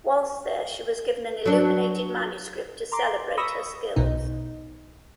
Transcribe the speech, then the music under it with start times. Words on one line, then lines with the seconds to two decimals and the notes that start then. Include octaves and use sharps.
Whilst there she was given an illuminated manuscript to celebrate her skills.
1.46 F#3 D4
2.92 A#5 C6 D6
3.38 B5 C#6 D#6 E6 A#6
3.96 B1 B2 D#4